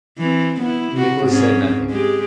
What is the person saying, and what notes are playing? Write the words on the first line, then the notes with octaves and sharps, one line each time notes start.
Nicholas said nothing.
E3 C4
B3 E4
C3 F#4
G#2 C4 C#4
G#3 G4